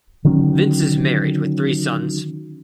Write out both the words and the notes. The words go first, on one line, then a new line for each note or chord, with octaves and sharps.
Vince is married with three sons.
D3 D#3 F#3 C#4